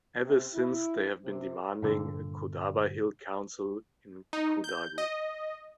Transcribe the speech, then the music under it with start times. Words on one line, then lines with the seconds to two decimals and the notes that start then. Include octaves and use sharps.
Ever since they have been demanding a Kodava hill council in Kodagu.
0.23 C3
0.54 E4
1.25 C3
1.82 G2 A#2 D3
4.33 D#4
4.64 G6
4.98 D#5